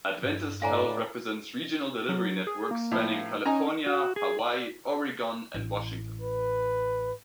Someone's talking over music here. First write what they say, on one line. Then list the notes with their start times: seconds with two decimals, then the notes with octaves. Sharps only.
Adventist Health represents regional delivery networks spanning California, Hawaii, Oregon and Washington.
0.22 G2
0.62 A2 D3 D5 F5 G#5 A#5
2.09 F#3
2.47 G#4
2.71 A#3
2.91 A2 F3
3.45 C#4 D#4 G#5 A#5
3.86 F#4
4.16 G#4
4.39 D5
5.54 A1
6.22 B4